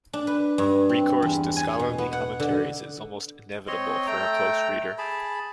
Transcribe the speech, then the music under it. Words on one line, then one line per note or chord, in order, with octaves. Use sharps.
Recourse to scholarly commentaries is almost inevitable for a close reader.
D4
B4
G2
C4
E2
G#5
B2
B3
F#5
D3
C4 C#5 D#5 C6
A3 G5 A#5
G#4 A5 B5